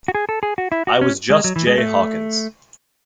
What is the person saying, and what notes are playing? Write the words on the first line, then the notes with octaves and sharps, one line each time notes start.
I was just Jay Hawkins.
F#4
G#4
A4
G#4
F#4
E4
F#4
C#4
G#3
F#3
E3
G#3
A3